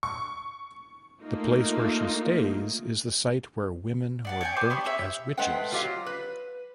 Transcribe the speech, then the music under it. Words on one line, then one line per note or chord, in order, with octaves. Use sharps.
The place where she stays is the site where women were burnt as witches.
C#6
A3 A#3 D#4 F4
D4 F#5 A5
C#5 G5 G#5
C5 G5 G#5 D6
B3 D4 G4 C#5
G#4 C5 C#5 E5
G#3 A3 B4 C5 F#5 G5
F#3 F4 G4 E5 F5
B4